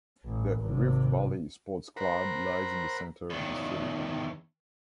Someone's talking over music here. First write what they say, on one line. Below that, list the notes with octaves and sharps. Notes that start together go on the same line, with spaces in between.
The Rift Valley Sports Club lies in the centre of the city.
A1
G#1 C3
A#4 C5 F#5 A#5 B5
E2 D#3